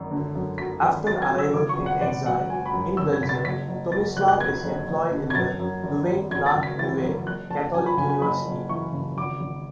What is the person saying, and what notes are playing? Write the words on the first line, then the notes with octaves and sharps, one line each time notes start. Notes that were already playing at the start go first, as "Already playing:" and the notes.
After arrival in exile in Belgium, Tomislav is employed in the Louvain-la-Neuve Catholic University.
Already playing: G#1 F#2
D3
F#2
F#3 B6
G#1
F#3 A6
G#6
F#3
E6
C#3 D6
C#6
G#1
F#5
G#1 D5
F#3 F#5
F#3 G#5
B5
F#2
F#2 E6
G#6
C#3 B6
A6
F#1 B6
F#1
F#2 A6
F#1 F#6
F#6
F#1 G#6
F#1
F#1
D3
G#6
F#2 A6
F#2
G#1
G#1
G#1 G#6
A6
C#3
B6
E3 A6
F#2
F#1 F#6
F#1 A5
F#2 G#5
B5
C#3 G#5
G#5
F#1 B5
F#1
E3 C#6
C#3
G#1 D6
G#1